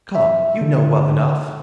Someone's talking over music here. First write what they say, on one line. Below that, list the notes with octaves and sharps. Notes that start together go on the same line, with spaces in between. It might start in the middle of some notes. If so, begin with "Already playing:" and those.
"Come, you know well enough."
E5
D3